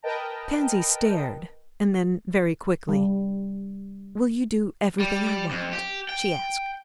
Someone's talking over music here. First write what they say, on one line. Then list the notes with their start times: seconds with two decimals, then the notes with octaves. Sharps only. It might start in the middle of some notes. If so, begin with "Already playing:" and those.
Pansy stared, and then very quickly, "Will you do everything I want?" she asked.
0.02 A#4 B4 D#5 G5 A5 A#5
2.89 G3
5.00 G3
5.51 F2
5.73 G4
6.09 G5